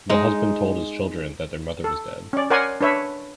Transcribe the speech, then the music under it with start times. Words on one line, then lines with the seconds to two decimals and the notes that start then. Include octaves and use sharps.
The husband told his children that their mother was dead.
0.09 G#3 D#4
1.84 A4
2.33 C#4 D5
2.51 A#4 C#5 D5 F#5 G#5 C6
2.81 D4 B4 C#5 E5